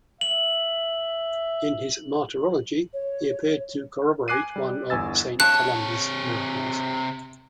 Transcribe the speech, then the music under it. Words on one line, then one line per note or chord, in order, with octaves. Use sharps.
In his martyrology, he appeared to corroborate one of Saint Columba's miracles.
E5 F#7
C#5
G#5 D6 F#6 C7 D#7
G3
G1 E2 G#5 E6 A6
G2 C3 C#5 A5 F#6